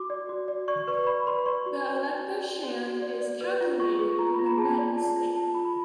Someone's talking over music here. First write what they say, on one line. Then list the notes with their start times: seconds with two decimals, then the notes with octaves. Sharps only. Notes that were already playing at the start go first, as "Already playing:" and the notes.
The elective share is calculated through the net estate.
Already playing: F#4 D6
0.10 D5
0.29 F#4
0.48 D5
0.68 D5 C#6
0.88 B4 C#6
1.07 D5 B5
1.27 B4 C6
1.46 D5 C#6
1.66 F#4
1.85 D5
2.04 F#4
2.24 F#4
2.44 D5
2.63 F#4
2.83 F#4
3.02 D5
3.21 D5
3.41 B4
3.61 F4
3.80 F4 C#6
3.99 G#4
4.19 F4 A#5
4.34 F4 B5
4.46 A#5
4.58 G#4 A5
4.78 D5
4.96 F4 A5
5.16 F4
5.35 F4 A5
5.55 F4 B5
5.65 B5